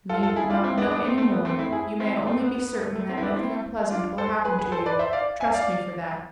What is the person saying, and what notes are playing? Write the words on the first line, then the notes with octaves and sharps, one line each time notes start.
You need not know any more: you may only be certain that nothing unpleasant will happen to you; trust me for that.
F4 A4
F4 A4
E4 G#4
D4 F4
C4 E4
B3 D4
B3 D4
A3 C4
A3 C4
B3
A3 C4
C4 E4
E4 G#4
C4 E4
A3 C4
B3
B3
B3
A3
A3
A3 C4
E4
B3 D4
C4 E4
D4 F4
A4 C5
G#4 B4
G#4 B4
A4 C5
B4 D5
C5 E5
D5 F5
E5 G#5
D5 F5